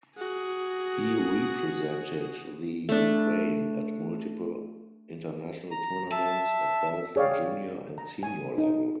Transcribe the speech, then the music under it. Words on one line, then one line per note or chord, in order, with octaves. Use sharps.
He represented the Ukraine at multiple international tournaments at both junior and senior level.
F#4 G#4
A3 D4
A#5
E5 A5
G#4 C#5 D5 F5 G5
A#5
G#5
D#4